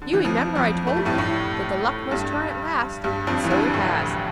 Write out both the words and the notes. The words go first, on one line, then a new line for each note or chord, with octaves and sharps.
'You remember, I told you that the luck must turn at last, and so it has.
D3
E3
F2 F3
F2 F3
A3
G3
A2 A3
A2 A3
G2 G3
G2 G3
F2 F3
E3
D2 D3
A2